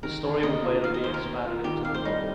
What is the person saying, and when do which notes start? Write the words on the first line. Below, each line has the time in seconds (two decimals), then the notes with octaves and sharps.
The story would later be expanded into the novel.
0.03 D#3 A#4
0.23 D#2
0.43 A#3 D#5
0.63 F4
0.83 D#3 F5
0.94 D#5
1.04 D#2 C5
1.14 A#4
1.25 A#3
1.45 F4
1.64 D#3 G4
1.84 F2 F5
1.94 C5
2.05 G3 D#4